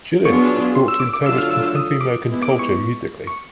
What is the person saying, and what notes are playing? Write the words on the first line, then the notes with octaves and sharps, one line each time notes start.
Gillis sought to interpret contemporary American culture musically.
F#3 B3 D4 F4 G#4 C#6
C6
E6
D6
D6
D3 F#3 A3 D4 F4 E6
F6
E6
E6
D#6
D6
G#3 B3 E4
D6
C#6
C#6